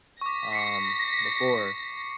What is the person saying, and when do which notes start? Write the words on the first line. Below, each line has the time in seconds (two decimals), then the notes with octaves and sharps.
um, before,
0.21 C#6 D6 A#6 B6
0.53 C7 C#7